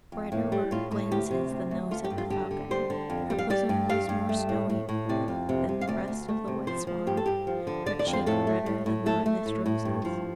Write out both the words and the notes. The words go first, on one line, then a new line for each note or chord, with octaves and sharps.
Brighter were her glances than those of a falcon; her bosom was more snowy than the breast of the white swan, her cheek redder than the reddest roses.
F2
A2
G3
A2 F4
A2
D2 G4
C3
D2
D2
A3 F4
G4
G2
F4
D3 G4
D3
G3 C5
D3
F2
G3
F5
G3 D5
G2
G3 F5
G2
A3
A2
A2
A2
C3 D5
F2
C3
C3
F5
D2 D5
D2
A3
C3
F3 C5
F3
G2 G4
A4
G2 G4
F3
D3
D3 D5
D5
F2
C5
A2 A4
A3
A2
A2
A3 A4
A3
A2
A2
G2
F3